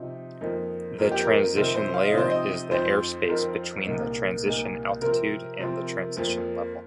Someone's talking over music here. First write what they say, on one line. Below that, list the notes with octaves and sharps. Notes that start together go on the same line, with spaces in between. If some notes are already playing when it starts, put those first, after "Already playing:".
The transition layer is the airspace between the transition altitude and the transition level.
Already playing: C3 F3 D#4
F2 F3 A#3 D#4
F2 F3 A#3 D#4 A#4
G4
A#4
C3 F3 C4 D#4 A#4
C5
F5
D#5
C3 F3 C4 D#4 C5
D#5
F2 F3 C4 D#4 C5
F2 F3 C4 D#4 A#4
C2 A#2 A#3 D#4
C2 A#2 A#3 D#4
C3 F3 C4 A#4
C3 F3 C4
F2 F3 A#3